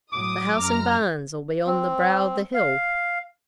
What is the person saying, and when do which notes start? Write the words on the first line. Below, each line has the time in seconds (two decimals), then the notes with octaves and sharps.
The house and barns'll be on the brow of the hill.
0.12 A2 F#3 D6 D#6
0.59 F#2 A#5 F6
1.67 C4
2.54 F5